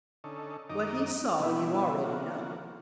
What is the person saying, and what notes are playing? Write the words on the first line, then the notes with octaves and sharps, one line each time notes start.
What he saw you already know.
D3 C#4 D#4 A4
F#2 D#3 D#4 D#5 A#5 D6
B2 E3 G3 B3 D4 E4
D3 F3 A#3 F#4